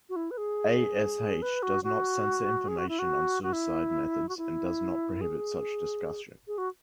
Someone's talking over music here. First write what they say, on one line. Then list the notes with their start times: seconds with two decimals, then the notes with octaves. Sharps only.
A.s.h does not censor information on suicide methods and does not prohibit such discussion.
0.09 F#4
0.16 E4
0.31 B4
0.37 G#4
1.42 B4
1.63 F#4
1.84 F#4
2.68 G#4
2.78 F#4
2.89 E4
2.99 F#4
3.43 F#4
3.53 E4
4.29 F#4
4.37 E4
5.21 G#4
6.47 G#4
6.58 F#4